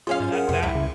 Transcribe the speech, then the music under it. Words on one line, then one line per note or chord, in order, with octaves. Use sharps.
and that that
F#2 C#4 F4 G#4 C#5 F5
G#2
G#4 A#4 F#5
F2 C3
C#2 G2 E4
C#3